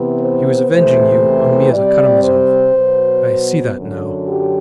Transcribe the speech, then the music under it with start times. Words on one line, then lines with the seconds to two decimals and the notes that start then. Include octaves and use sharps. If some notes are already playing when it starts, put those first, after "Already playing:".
He was avenging you on me as a Karamazov, I see that now.
Already playing: C3 E3 B3
0.20 C5
0.71 E2 C3 E3 A3 C4 C5
1.73 C3 G3 C4 D5
2.25 C5
2.76 B2 F#3 B3
3.77 F#2 D3 F#3
4.29 G4